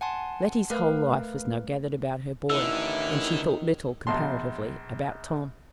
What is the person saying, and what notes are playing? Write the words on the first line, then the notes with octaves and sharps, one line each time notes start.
Letty's whole life was now gathered about her boy, and she thought little, comparatively, about Tom.
F#5 G#5 A5 C6
A3 A#4 B4 F5
A1 D3 D#3 E4 E6
A#1 B2 A5 C6